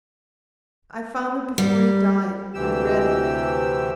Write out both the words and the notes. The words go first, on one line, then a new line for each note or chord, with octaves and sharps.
I found it before he died--and read it.
G3
D2 C3 E3 G4 E6